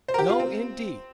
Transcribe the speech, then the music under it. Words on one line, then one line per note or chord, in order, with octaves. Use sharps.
"No, indeed."
C5
A#4
G4
F4
C4